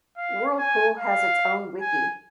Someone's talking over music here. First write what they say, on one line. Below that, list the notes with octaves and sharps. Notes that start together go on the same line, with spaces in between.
Whirlpool has its own Wiki.
F5
G#5
F5
G#5